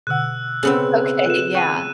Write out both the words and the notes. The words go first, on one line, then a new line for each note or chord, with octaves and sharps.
Okay, yeah.
B2 D3 F#5 E6 F#6
C#3 B3 C4 A4 C5 F#5
F4 A4 B4 F#6 E7
F#5 G5 C#6 F#6 D#7